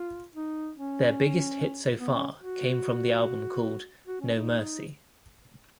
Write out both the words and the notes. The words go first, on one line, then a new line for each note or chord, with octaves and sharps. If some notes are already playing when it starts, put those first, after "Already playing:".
Their biggest hit so far came from the album called "No Mercy".
Already playing: F4
D#4
C#4
B3
C#4
F#4
F#4
C#4
D#4